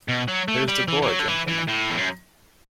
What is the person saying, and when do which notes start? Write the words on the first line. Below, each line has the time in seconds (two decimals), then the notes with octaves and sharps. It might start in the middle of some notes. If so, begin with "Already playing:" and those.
Here's the boy, gentlemen!
0.08 B2
0.28 F#3
0.48 A3
0.68 G3
0.88 E3
1.02 E3
1.08 F#3
1.19 D3
1.28 E3
1.47 E3
1.68 A2
1.90 E2
1.98 F#2